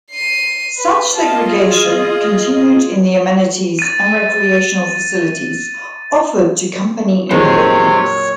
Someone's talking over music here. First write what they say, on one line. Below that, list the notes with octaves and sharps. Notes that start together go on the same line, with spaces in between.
Such segregation continued in the amenities and recreational facilities offered to company employees.
C7 D#7
B4
F4 D#5 A5
G#4
A6 D#7
F2 A#2 D#3 F#3 G#3 G4 C5 C#5